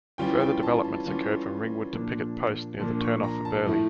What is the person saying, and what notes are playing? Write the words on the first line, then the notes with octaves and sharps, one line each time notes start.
Further developments occurred from Ringwood to Picket Post near the turn-off for Burley.
E3 G3 C#4 F4 G5
G5
A5
A5
E3 G3 C#4 F4
A#2 F3 A#3 D4
A#2 F3 A#3 D4 A5
C#6
A#5
A5
A2 F3 A3 E4